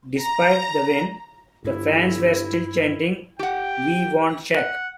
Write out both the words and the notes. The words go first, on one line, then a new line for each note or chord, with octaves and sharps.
Despite the win, the fans were still chanting We want Shack!
A#5
G1 G2 E4
G4 F#5 G5
F#5